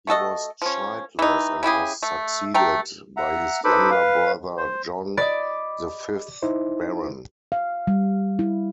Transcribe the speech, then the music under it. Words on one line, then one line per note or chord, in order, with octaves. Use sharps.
He was childless and was succeeded by his younger brother John, the fifth Baron.
A3 F#4 A4 D#5
F3 C#4
E3 D#4
C#3 E4 G4 G#4
A3
A3 G5 A#5
E5 F#5 A#5
D#4 A4 B4 C5 B5 D6
B4 F5
C5
D5 D#5 B5 D6
D#4 E4 C5
F5
G3
E4